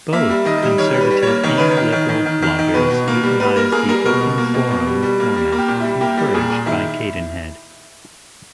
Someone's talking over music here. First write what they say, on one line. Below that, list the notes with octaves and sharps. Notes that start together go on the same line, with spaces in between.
Both conservative and liberal bloggers utilize the open forum format, encouraged by Cadenhead.
A#3 E5
G3
D#3 D#5
G3
D#3 C#5
G3
B4
G3
A#3 C#5
D#3 C#5
D#3 B4
C#5
D#3
D#3
D#3
D#3
D#3
D#3
B2 B4
B2
A#3
G3
G3 B4
A#3 A#4
A#3 G#4
G3 A#4
B2 A#4
B2
A#3
B2
B2
G3
G3
A#3
G3
A#3
G4
A#2
G3 E4
A#3 G4
G3
A#2 G#4
A#2
D#3 E4